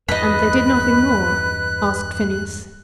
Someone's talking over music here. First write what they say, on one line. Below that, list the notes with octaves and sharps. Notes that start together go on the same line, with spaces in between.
"And they did nothing more?" asked Phineas.
E2 G2 B4 D#5 B5 F#6